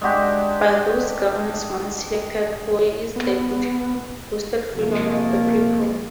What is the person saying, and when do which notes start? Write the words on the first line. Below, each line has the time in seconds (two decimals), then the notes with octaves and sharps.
But those governors once selected, where is the boasted freedom of the people?
0.01 G#3 D4 F#4 G4
3.16 B3
4.73 C3 F3 A3 A#3